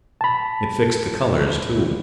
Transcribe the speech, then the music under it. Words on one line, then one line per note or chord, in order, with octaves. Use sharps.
It fixed the colors, too.
A5 B5